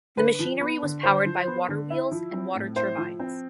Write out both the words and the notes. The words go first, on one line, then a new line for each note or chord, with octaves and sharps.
The machinery was powered by water wheels and water turbines.
D3 B4
F3
B3
D3
D3 C5
F3
B3
D3
E4
F3
C4
A2
E4 C5
F3
C4